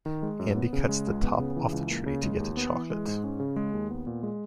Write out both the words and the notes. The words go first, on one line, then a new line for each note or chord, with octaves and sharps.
Andy cuts the top off the tree to get the chocolate.
D#3
G#3
F#2
B3
C#3
G#3
C#2
B3
C#3
E3
C#2
A#3
C#3
G#3
D#2
B3
E3
G#3
G#2
C#4
C#3
G#3
D#2
B3
A#2
G#3